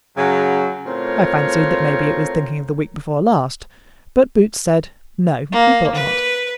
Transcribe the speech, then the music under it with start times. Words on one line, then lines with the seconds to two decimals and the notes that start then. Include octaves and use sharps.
I fancied that maybe it was thinking of the week before last, but Boots said, No, he thought not.
0.17 F#2 C#3 F#3
0.87 A2 C4 F4 A#4 C#5
5.52 A#3
5.95 B4